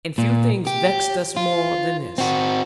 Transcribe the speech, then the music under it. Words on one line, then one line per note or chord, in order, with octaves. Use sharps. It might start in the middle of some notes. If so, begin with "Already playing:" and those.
And few things vexed us more than this.
A#2
G4
F4
C4 F#4